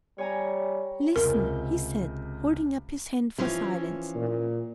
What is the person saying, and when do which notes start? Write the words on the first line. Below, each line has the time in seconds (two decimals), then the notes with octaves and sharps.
"Listen!" he said, holding up his hand for silence.
0.18 G3 C#5 G#5 A#5
1.16 C#2 C3 A#4
3.38 E3 F3 C#4
4.15 A#2